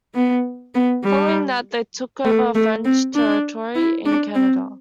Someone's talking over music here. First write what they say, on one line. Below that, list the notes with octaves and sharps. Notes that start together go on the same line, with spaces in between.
Following that, they took over French territory in Canada.
B3
B3
G3
A3
A3
C4
D4
E4
D4
C4